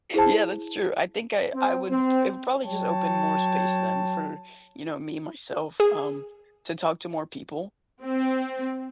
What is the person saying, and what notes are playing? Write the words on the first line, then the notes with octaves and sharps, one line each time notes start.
Yeah, that's true. I think I I would it would probably just open more space then for, you know, me, myself, um, to talk to more people,
E4 G#4 C5 A5
C4
C4
F#3 C#5 G5 A5
G#4
C4